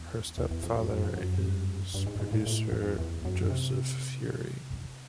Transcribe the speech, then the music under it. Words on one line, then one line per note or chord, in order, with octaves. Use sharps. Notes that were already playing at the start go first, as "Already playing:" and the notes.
Her stepfather is producer Joseph Feury.
Already playing: E2
E2
E2
F2
F#2
F#2
F2
F#2
G2
G#2
G#2
A#2
A2
F2
E2
F#2
C3